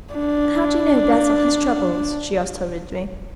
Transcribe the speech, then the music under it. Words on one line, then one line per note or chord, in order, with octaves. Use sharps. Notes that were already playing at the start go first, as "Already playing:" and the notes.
"How do you know Basil has troubles?" she asked hurriedly.
D4